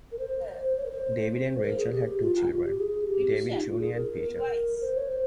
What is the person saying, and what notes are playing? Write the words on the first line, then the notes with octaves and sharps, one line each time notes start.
David and Rachael had two children, David Junior and Peter.
A#4
C5
C#5
A#4
C5
A#4
G#4
G4
F4
F4
F4
G4
G#4
G4
G4
F4
D#4
F4
G#4
A#4
A#4
C5
C#5
C5